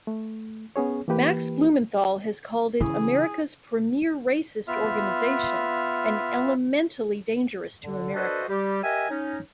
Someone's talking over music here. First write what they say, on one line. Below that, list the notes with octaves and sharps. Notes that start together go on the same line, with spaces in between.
Max Blumenthal has called it America's premier racist organization and elementally dangerous to America.
A3
B3 C#4 G#4 C#5
E3 A#3 G4 B4
C#3 E3 E4 G#4
B3 F4 E5 F6
D3
D4 F#4 A4 B4 C5 D#5
G3 G4
G4 A#4 D#5 E5 G#5
C#4 D#4